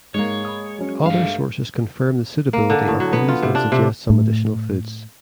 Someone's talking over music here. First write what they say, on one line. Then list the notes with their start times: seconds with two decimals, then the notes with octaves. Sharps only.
Other sources confirm the suitability of these and suggest some additional foods.
0.14 G#2 G#3 A#3 C#5
0.45 B5 D#6
0.78 F#3 C#4
1.06 G2 A3 F5
2.53 A#3
2.70 D3
2.88 A2
3.00 F#3
3.13 B3
3.28 F4
3.43 C3
3.55 D4
3.72 C3
4.10 A2